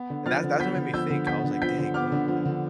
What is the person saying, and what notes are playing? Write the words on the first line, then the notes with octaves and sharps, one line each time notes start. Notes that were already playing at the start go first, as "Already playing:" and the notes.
And that that's what made me think, I was like, "Dang, bro," like
Already playing: B3
D3
F3 F6 A6
D3
B3 G6 B6
D3
F3 E6 G6
D3
B3 G6 B6
D3
F3 G6 B6
D3
B3 D6 F6
D3
F3
D3